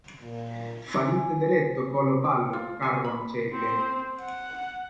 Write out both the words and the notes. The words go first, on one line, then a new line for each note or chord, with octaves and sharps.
Falite dereto colo palo, Carvoncelle!
A#2
G#5
G5
F4
G#5
B5
C4
F#5